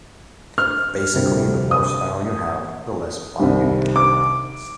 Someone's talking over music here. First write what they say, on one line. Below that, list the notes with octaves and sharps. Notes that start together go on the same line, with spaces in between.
Basically, the more style you have, the less plot you need.
F6
D2 C3 G3
D#6
C2 C3 D#3 G3
D6